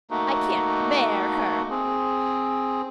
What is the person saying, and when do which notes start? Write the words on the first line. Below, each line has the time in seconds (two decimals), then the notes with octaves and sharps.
I can't bear her.
0.11 A3 A#3 D#4 F#4
1.70 C4 G#4